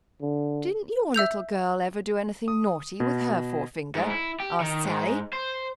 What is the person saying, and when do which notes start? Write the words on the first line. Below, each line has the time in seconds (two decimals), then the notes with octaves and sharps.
"Didn't your little girl ever do anything naughty with her forefinger?" asked Sallie.
0.21 D3
1.14 E5 E6 G6 F7
2.48 D#6
3.00 B2
3.95 G#2
4.10 E4
4.40 G4
4.60 D#3
4.85 G#2
5.33 C5